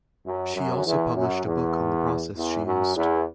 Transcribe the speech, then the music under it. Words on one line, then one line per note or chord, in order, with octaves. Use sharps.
She also published a book on the process she used.
F#2
F#2
E2
F#2
E2
E2
F#2
E2